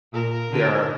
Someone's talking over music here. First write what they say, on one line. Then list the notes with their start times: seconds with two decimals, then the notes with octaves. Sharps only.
there are
0.13 A#2 A#4
0.52 D3